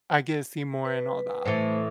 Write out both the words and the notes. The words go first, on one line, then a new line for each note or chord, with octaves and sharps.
I get see more and all that."
B4
A2 E3 A3 C5